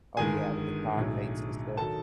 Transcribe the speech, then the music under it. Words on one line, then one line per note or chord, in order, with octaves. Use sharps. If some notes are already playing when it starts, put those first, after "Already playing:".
Oh, yeah, with the cognates and stuff.
G1 G2 D#3 G#3 G#4 G#5
B1 A2 F#3
D#3 F#3 A4 A5